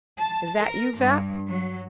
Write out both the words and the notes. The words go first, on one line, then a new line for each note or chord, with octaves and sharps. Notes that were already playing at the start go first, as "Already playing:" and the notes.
"Is that you, Vapp?"
A5
A#4
G2
F#3